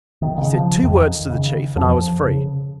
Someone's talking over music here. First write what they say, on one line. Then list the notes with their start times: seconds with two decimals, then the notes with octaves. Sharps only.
"He said two words to the chief and I was free."
0.22 D#3
0.38 C#3
0.53 F3
0.83 F2 D#3
1.30 C#3
1.76 F2 F3
2.22 C#3